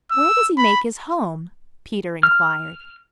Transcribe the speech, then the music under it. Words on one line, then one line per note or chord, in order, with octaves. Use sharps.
"Where does he make his home?" Peter inquired.
E6
B5
F6